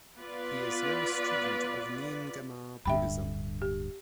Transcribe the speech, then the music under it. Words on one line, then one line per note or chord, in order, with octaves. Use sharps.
He is now a student of Nyingma Buddhism.
B3 F4 B4 D5
D1 G2 D3 E5 G5 B5
G4